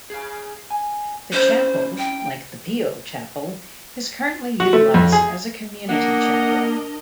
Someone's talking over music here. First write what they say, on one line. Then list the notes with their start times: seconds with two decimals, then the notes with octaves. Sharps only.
The chapel, like the Pio chapel, is currently utilized as a community chapel.
0.10 G#4 F5
0.70 G#5
1.33 C4 C#4 E4 C5
1.98 G5
4.60 F#4
4.73 A3
4.94 F2
5.12 G#4
5.89 A#3 D4 A#4 D#5 F#5